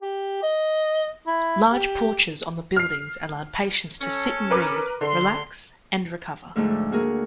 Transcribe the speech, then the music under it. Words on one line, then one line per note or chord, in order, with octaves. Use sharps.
Large porches on the buildings allowed patients to sit and read, relax, and recover.
G4
D#5
E4
G4
F6 C7
C#4 A4
A#4 B4 D6
D3 C6
D2 G#2 F3 A3 D4
A#3 F#4 G#4 A#4